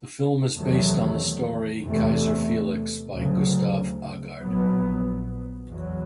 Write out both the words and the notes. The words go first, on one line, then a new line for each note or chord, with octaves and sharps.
The film is based on the story "Keiser Felix" by Gustav Aagaard.
E2 C3 D#3 F#3 A3
E2 C3 E3 A3
D2 C#3 F#3
A#1 A#2 F#3 B3
E2 B2 F#3